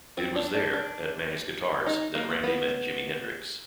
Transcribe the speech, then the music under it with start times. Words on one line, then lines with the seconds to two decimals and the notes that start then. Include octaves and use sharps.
It was there, at Manny's Guitars, that Randy met Jimi Hendrix.
0.17 C4
0.36 D4
0.54 D4
0.74 D4
1.87 D#4
2.15 A#3
2.43 B3